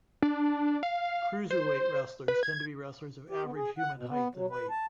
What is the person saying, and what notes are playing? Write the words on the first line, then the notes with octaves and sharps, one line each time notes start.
Cruiserweight wrestlers tend to be wrestlers of average human height and weight.
D4
F5
C5
B4
G#6
G4
B3
G#4
F#5
B2
B3
F#3
B4
A5